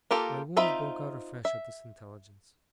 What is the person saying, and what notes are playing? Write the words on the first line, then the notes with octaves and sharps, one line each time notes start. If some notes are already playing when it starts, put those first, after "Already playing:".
My wounds broke out afresh at this intelligence.
A#3 F4 G4 A4 A#4
C4 D#4 F4 E5 B5
E5